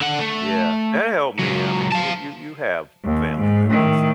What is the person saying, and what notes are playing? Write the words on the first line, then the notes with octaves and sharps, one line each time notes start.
Yeah, that helped me, I mean, you you you have family members,
D3 F#5
A3
C#2 F#3
F5 A5
D#2
G#2
A2 D#3